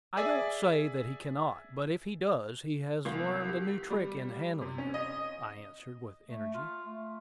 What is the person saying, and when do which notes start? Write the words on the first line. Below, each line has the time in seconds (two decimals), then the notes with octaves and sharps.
"I don't say that he cannot; but if he does, he has learned a new trick in handling her," I answered, with energy.
0.17 G#4 D5 E5 G#5
3.05 C2
3.48 G4
3.90 G3
4.61 C3
4.78 C#4
4.94 D#5
6.28 A3
6.54 F4
6.85 A3